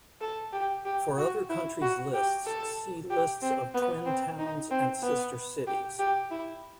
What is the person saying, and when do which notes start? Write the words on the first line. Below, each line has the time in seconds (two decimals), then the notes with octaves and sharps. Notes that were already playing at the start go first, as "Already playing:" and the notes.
For other countries' lists see lists of twin towns and sister cities.
0.21 A4
0.53 G4
0.85 G4
1.18 F#4
1.50 E4
1.82 F#4
2.14 G4
2.46 A4
3.10 G4
3.42 C4
3.74 B3
4.06 C4
4.38 D#4
4.71 C4
5.02 B3
5.67 G4
5.99 G4
6.31 E4